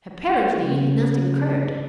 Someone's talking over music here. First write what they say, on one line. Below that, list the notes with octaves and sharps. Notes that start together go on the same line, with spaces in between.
Apparently nothing occurred.
C#3